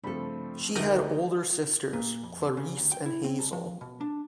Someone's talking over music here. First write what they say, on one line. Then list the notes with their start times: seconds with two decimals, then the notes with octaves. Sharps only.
She had older sisters Clarice and Hazel.
0.04 G2 C#3 F3 A3 C4 D4 A4 B5
0.75 D2 D3 D#3 D#4 A#4 D#5 E5 G5
1.93 A#2
2.23 F2
2.57 C#3
2.77 D2
2.92 G5
3.06 E4
3.24 C4
3.39 C2
3.53 F3
3.81 B2
4.01 D4